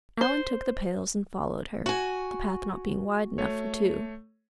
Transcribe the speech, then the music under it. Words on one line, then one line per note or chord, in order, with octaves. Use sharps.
Alan took the pails and followed her, the path not being wide enough for two.
C5
F#4 G#5
A3 C#5